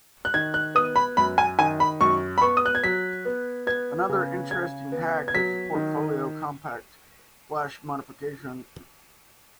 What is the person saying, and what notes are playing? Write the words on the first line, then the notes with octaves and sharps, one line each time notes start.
Another interesting hack is the Portfolio Compact Flash modification.
F#6
D#3 G#6
F#6
B3 D#6
B5
F#2 B5
G#5
D#3 G#5
B5
F#2 C#6
B5
B3 C#6
D#6
F#6
G#6
F#3 B6
B3
B3 G#6
C#3
C#3 G#6
B3
G#6
F#3 B6
D#3